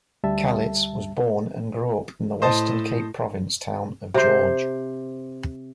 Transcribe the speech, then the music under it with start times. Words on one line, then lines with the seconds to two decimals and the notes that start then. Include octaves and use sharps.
Calitz was born and grew up in the Western Cape Province town of George.
0.24 D2 G3 E5 A5
2.42 A2 C5 D#5 A5
4.14 C3 C5